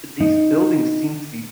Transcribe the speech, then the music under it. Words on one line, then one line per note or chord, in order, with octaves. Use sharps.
these buildings seem to be
D#4